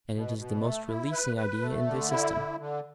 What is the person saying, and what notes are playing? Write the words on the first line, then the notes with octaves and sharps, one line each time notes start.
And it is the most releasing idea in the system.
B2
B2
A3
E4
B4
B4
A3
D3
E4
D3
D3